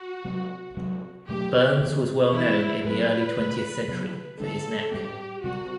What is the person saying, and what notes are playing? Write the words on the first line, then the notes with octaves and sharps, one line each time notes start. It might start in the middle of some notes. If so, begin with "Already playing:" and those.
Burns was well known in the early twentieth century for his neck.
Already playing: F#4
C3 F#3 C4
C3 F#3 C4
B2 F#3 A3 D4 G4
C3 E3 B3
E3 B3 D4 E4
A2 F#3 B3 B4
B2 A3 C4
C3 F#3 B3
D3 G3 B3 D4 A4
A2 G3 C4 G4
C3 G3 C4 F#4